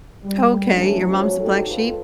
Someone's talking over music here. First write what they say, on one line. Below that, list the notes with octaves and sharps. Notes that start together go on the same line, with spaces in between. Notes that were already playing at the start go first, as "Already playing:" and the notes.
Okay, your mom's the black sheep?
G3
A2 E3 F#3 A3 C#4 D4
F3 F#3 C#4
G#3 D#4 F#4 G4 A4
F4 A4 B4